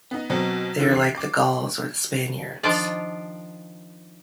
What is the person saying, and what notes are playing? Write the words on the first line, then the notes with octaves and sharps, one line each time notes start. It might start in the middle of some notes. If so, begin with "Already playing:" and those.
They are like the Gauls or the Spaniards.
B3 D#4
B2 F#3 B3 C4
D3 E3
C7
D6
D#3 F3 D4 F4 D5